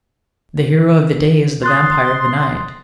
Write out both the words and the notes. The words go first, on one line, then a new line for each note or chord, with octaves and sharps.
The hero of the day is the vampire of the night.
C6 D#6 F#6 A6